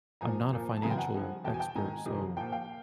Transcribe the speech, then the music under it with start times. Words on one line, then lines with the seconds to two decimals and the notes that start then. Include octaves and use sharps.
I'm not a financial expert, so
0.21 A#2 F3 G#5 A#5
0.53 A#2 F3
0.77 A5
0.82 F#2 C#3 E3 G#5 A#5
0.91 G5
0.98 F#5 G#5
1.14 G2 D3 F3
1.44 E2 B2 G5 A5
1.54 G#5
1.59 G5 A5
1.75 G#2 D#3 G#5 A#5
2.06 F2 C3 D#3
2.37 A#2 F3 G5 A5
2.52 F5 G5